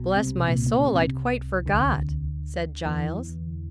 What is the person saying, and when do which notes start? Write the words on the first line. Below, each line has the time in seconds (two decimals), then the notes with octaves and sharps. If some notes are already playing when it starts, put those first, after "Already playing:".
"Bless my soul, I'd quite forgot," said Giles.
Already playing: B1 B2
0.17 C2 C3
0.48 A#2
0.66 A#2
0.80 C#3
0.86 C2 C3
1.66 D2 D3
2.85 E2 E3